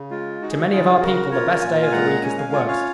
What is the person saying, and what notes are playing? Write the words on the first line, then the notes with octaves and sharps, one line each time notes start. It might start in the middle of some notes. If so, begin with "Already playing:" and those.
To many of our people the best day of the week is the worst.
Already playing: C#3
G#3 F4
D#4 F#4
G#4
F#4
C#3 F4 G#4
C#3 F#4 A#4
F4 A#4 C#5
A#2 G#5
A#5
F5 G#5
G#3 F#5 A#5
C#4 G#5
A#5
F5 G#5
F4 G#5
F#5
C#5 F5